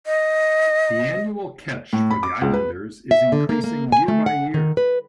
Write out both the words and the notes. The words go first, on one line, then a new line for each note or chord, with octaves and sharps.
The annual catch for the islanders is increasing year by year.
D#5
A2
B5
D6
C#2
B4
E5
D3
A#3
A#3
G#5
A3
F#5
D#3
B4